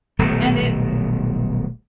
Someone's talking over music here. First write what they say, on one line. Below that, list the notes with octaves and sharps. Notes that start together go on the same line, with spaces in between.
And it's
D#1 B1 B2 A3